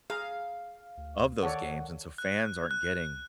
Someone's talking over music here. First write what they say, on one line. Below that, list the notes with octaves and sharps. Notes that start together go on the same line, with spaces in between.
of those games, and so fans aren't getting
G#4 F5 A#5
D2
D#3 A4 C#5 D5 F#5
F#6
F#6